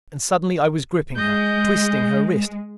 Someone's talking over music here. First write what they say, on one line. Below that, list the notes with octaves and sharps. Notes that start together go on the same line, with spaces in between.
And suddenly I was gripping her, twisting her wrist.
G#3 D#5 G6